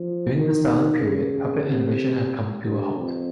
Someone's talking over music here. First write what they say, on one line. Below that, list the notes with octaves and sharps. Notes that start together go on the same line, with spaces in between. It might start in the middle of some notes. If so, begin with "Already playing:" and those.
During the Stalin period, puppet animation had come to a halt.
Already playing: F3
D#3
C#3
C3
G2
F2